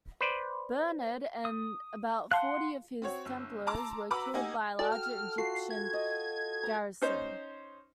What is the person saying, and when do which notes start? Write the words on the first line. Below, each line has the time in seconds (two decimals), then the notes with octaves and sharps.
Bernard and about forty of his Templars were killed by the larger Egyptian garrison.
0.21 B4 C5 D5
1.45 D#6
2.31 F5 F#5 A5 C6 F#6
3.02 C4 F#4 C#5
3.25 G1 E6
3.67 A5 A#5 C6 D6 E6
4.10 F#4 B4 A#5 B5 D6 E6
4.34 A#3 D#4 G4 D#5 F#5 G#5
4.79 F#4 A4 D5 G5
4.92 F6
5.38 F4 F#4 A4 C7
5.70 G#6
5.93 D#5
6.63 A#5
7.02 C#4 D#4 C5